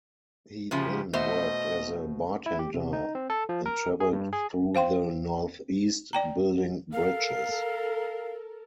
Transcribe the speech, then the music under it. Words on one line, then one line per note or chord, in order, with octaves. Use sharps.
He then worked as a bartender and traveled through the Northeast building bridges.
A2 C#3 F3 G4
B2 A3 C5 D#5
E4
G4
C3
D#4
C4
A4
F3
A#4
G#4
G2
G#4
C5 F5 G5 C6
D5 G5 A#5
A4 A#4 F5